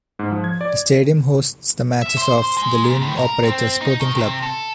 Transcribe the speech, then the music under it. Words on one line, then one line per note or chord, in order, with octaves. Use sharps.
The stadium hosts the matches of the Loom operator Sporting Club.
G#2
F3
G#6
D5
E5
C5
C5
G#3
A#2
A2
A#4
C4
D#4
D#3
C3
A4